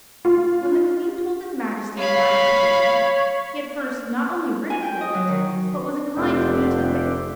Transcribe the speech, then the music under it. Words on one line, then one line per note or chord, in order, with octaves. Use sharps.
When the Queen told his Majesty of my proposal, he at first not only ridiculed it, but was inclined to veto it.
F4
C#5 F5 B5
G#5
G5
D#5
F#3
D#3
F1 C4 D4 G4